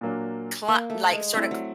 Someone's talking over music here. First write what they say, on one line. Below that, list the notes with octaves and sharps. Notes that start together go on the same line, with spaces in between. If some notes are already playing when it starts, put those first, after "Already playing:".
cla like, sorta
A#2 F#3 A#3 D4
A#3
A3
G#3
G3 A3 C4 E4
F#3